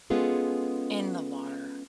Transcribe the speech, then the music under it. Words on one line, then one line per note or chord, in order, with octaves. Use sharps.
in the water,
G#3 B3 C#4 F4 G#4 A4